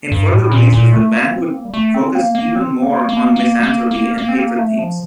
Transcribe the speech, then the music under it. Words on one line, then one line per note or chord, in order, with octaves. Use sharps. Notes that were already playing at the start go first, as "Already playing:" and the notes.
In further releases, the band would focus even more on misanthropy and hatred themes.
G2
A2
A#2
A#2
A3
A#3
C4
A#3
G3
A3
C4
A#3
A#3
C4
A#3
A#3
A#3
A#3
A#3
A#3
C4
A#3
A3
F3